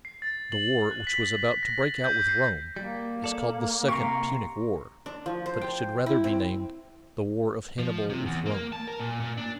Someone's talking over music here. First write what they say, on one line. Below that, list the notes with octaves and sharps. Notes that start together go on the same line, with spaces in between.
The war which was about to break out with Rome is called the second Punic war, but it should rather be named the war of Hannibal with Rome.
C7
A6
F#7
F#6
B6
A#6
G6
C7
G3 A#3
A4 D5
C3 G4 A#5 C6 C#6
D4
F3
C5
G5
E4
C4
F3
C3
E2
A#3
A5
A#4
A#2
A#2
D4